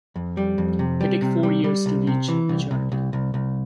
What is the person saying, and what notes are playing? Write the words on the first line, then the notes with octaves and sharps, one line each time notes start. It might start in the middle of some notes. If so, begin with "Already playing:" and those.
They take four years to reach maturity.
F2
G3
F2
C3
G3
C3
G3
G3
C2
C3
E3
C2
C2
C2
C2
C2